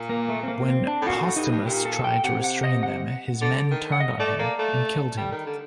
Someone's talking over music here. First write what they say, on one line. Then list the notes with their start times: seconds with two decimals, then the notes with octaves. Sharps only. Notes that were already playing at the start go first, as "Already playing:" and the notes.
When Postumus tried to restrain them, his men turned on him and killed him.
Already playing: A#2
0.09 A#3
0.29 A3
0.43 C4
0.48 A#3
0.68 C4
0.87 D4
1.02 A2
1.07 A#2 F#4
1.22 A2
1.36 G2 D#4
1.51 G2
1.66 A#2 G4
1.85 A4
2.04 G5
2.24 C3 F#5
2.44 F#5
2.64 D#5
2.83 F#5
3.41 D3
3.71 D#3
3.92 F#5
4.00 D#5
4.20 A3 D5
4.39 A#3 D5
4.59 A3
5.17 G3
5.32 D#3
5.46 D3